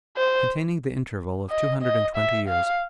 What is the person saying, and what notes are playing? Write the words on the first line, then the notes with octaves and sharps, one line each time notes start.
Containing The Interval Of Two Hundred And Twenty Years.
C5
D#5
D#5
E5
F5